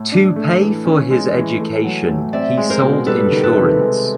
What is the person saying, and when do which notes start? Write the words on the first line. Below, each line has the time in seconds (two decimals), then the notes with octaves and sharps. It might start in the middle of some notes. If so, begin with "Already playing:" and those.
To pay for his education he sold insurance.
Already playing: A2
0.12 D4
0.36 A3
0.61 E3
0.85 C#4
1.10 G#3
1.35 E3
1.59 A3
1.84 F#3
2.09 A2
2.33 C4 D5 E5
2.57 G#3
2.70 A#4 C5
2.83 B2
3.07 G3 A4 B4
3.32 D#3
3.43 A4 B4
3.56 C3
3.81 G#3